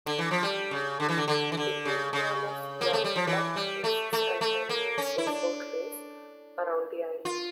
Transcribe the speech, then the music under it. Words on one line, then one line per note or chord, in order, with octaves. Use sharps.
The Inverness Yacht Club hosts an annual sailboat race around the island.
D3
E3
F3
G3
C#3
D3
E3
D3
D3
E3
D3
C#3
C#3
A#3
A3
G3
F3
E3
G3
A3
A3
A3
A#3
C#4
E4
D4
F4